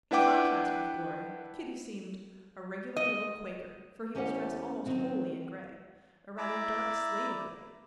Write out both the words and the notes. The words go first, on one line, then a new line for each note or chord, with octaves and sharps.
In contrast with Glory, Kitty seemed a regular little Quaker, for he was dressed almost wholly in gray, a rather dark, slaty-gray.
D4 E4 B4 F#5 G5 D6
D#5
E2 C#4 G4 C5 D#5 F#5
D#3 F#3 C4
E4 D5 E5 A#5 D6 E6